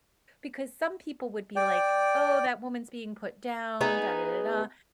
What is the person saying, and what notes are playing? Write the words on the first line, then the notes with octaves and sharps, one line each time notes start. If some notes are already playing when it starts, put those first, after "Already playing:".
Because some people would be like, "Oh, that woman's being put down, da, da, da, da."
D5 G5
B3 D#4 G#4